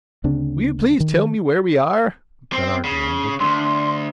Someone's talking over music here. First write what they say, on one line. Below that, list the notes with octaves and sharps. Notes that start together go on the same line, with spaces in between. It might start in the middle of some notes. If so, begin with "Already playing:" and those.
"Will you please tell me where we are?" Gunnar demanded.
D2 C#3 C4 D4
D#3
C4
C#3
D2 G2 C6